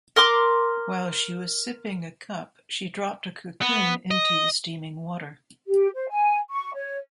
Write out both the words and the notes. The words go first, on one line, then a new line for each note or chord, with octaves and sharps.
While she was sipping a cup, she dropped a cocoon into the steaming water.
A#4 C6 D6
B3
D#5
G4
C5
G#5
C#6
C#5